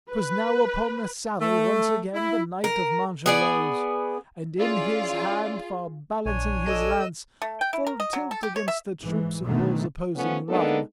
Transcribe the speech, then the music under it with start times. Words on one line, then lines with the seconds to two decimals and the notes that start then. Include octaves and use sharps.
'Twas now upon the saddle once again the knight of Mancha rose, and in his hand far balancing his lance, full tilt against the troops of bulls opposing run.
0.11 B4
1.40 A3
2.14 E4
2.64 A#4
3.26 B3 G#4 D5
4.59 C#4 E4 F4 G#4 D5
6.26 A#1 D4 C#5 G#5
6.66 A4 D5 D#5 E6
7.42 A3
7.61 G5
7.73 E4
7.87 A#4
8.00 D#5
8.13 F#3
8.31 A4
8.43 G4
8.56 C#5
8.68 E5
9.03 G#2 E3
9.43 B2 D3 D#3 F#3 A3 B3
10.14 F3 A3 B3 C#4
10.48 G#3 A#3 B3 D4 D#4 A4